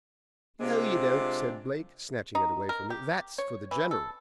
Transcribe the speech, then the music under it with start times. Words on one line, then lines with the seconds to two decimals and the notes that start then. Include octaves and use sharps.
"No, you don't," said Blake, snatching it away from me, "that's for the General."
0.60 C3 G#3 C4 D4 F4
2.35 D#4
2.69 A#4
2.90 G4
3.38 C#5
3.71 E3
3.91 A4